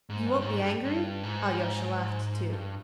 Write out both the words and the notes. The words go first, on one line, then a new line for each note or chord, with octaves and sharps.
"You won't be angry?" Alyosha laughed too.
G#2
G2
G#2
G2
G2
G#2
G2